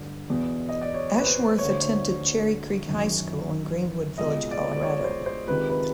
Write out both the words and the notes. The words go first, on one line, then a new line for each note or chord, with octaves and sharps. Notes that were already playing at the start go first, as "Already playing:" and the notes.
Ashworth attended Cherry Creek High School in Greenwood Village, Colorado.
Already playing: G2 D3
E2 B2
D#5
D5
C#5
B4
C5
D2 D3 C#5
C5
C#5
F#2 D#3
C#2 B2 D#5
D5
D5
C#5
C5
C5
C#2 C3 D#3 B4
B4